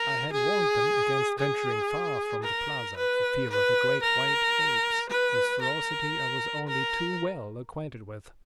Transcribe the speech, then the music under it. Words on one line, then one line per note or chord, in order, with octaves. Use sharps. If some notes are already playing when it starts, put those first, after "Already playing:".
I had warned them against venturing far from the plaza for fear of the great white apes, whose ferocity I was only too well acquainted with.
Already playing: A#4
G#4
G#4
A#4
B4
B4
A#4
B4
A#4
A#4